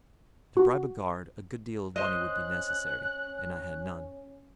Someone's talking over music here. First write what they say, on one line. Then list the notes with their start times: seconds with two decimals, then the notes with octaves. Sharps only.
To bribe a guard a good deal of money would be necessary, and I had none.
0.57 F#4
1.96 C#4 C5 D#5 F#6